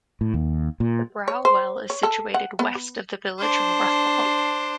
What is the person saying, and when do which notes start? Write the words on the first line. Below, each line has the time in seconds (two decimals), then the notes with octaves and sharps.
The Brow Well is situated west of the village of Ruthwell.
0.21 A2
0.34 D#2
0.80 A#2
1.28 C#5
1.45 C5
1.90 C#5
2.03 A4
2.34 F#5
2.59 B3
3.39 D4 C5